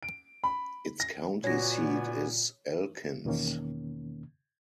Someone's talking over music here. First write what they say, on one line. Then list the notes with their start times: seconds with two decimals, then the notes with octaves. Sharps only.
Its county seat is Elkins.
0.03 D7
0.44 B5
1.00 A#6
1.44 A#2 B3 F#4 C#5 D5 G#5 A#6
3.25 E2 B2 D#3 A#3 C#4